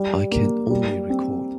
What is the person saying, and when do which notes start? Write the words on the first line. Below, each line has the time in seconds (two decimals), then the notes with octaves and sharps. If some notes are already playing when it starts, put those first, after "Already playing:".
I can only record.
Already playing: G3
0.32 A#3
0.70 G3
1.10 C4